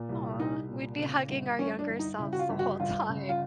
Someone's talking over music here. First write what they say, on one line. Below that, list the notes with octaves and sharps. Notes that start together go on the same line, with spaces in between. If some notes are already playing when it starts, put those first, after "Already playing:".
Aw, we'd be hugging our younger selves the whole time.
Already playing: A#2
C2
C2 D#4
A#2
C#3
G1
G1 C#4
D4
G1
D#4
C#3 E4
F#4
F4
G1
F#4
G1 F4
C#3
F4